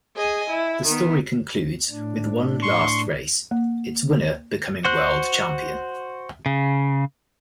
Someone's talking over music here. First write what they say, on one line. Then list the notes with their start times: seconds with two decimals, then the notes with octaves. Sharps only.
The story concludes with one last race, its winner becoming world champion.
0.15 G#4 D#5 G#5
0.49 E4
0.85 D#3 B3
1.90 A2 D4
2.62 C6 C#6
3.51 A#3
4.85 F#4 C5 F#6
6.46 C#3